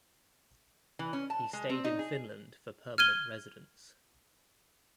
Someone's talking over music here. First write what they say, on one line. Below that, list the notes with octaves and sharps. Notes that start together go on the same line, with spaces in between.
He stayed in Finland for permanent residence.
E3
C#4
A5
G#3
C4
D#4
G#4
F6 G#6 D#7 G7